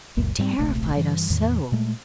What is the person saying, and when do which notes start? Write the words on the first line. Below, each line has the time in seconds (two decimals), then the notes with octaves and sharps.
You terrified us so.
0.17 F#1 C#2 F#2 A#2
0.38 G#2 G3 A#3 C4
0.58 D1 A#1 C3 A3
0.96 G2 E3
1.30 E2 A2 D#3
1.72 A#2 G#3 A3